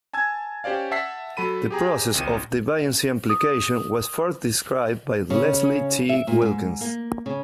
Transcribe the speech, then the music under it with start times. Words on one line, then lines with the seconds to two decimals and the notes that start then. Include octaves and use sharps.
The process of deviancy amplication was first described by Leslie T. Wilkins.
0.13 G#5 A5 E6 G#6
0.64 C#4 G4 C5 D5 F5
0.91 E5 F#5 A5 E6 B6 C7
1.37 F#3 A4 B5 D#7
1.71 G4 G#4 A#5
2.14 G#1 C#2 D#3 D#7
3.30 D#6
5.30 C#3
6.09 E5
6.27 A#2
6.42 G#2
6.81 A#3
7.26 C#3